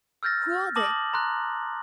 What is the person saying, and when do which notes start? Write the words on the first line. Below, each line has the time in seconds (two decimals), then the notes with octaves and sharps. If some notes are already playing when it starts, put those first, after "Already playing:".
"Who are they?"
0.23 E6 F6 G6 A6 A#6
0.76 A5 D6 D#6 A#6 F#7
1.13 A#5 C6 F#6